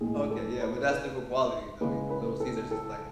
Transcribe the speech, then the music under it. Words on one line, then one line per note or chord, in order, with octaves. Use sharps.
okay. Yeah. But, that's different quality, though. You know, Little Caesar's is, like it
A2 G#3 G#4
A4
B4
B4
C#3 G#3 B4
B4
A4
A4